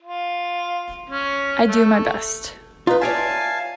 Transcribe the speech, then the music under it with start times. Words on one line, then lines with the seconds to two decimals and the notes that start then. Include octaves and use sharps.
I do my best.
0.02 F4
1.10 C#4
1.67 A3
2.87 D#4 F4 B4
3.01 C#5 D5 E5 F5 G#5 A5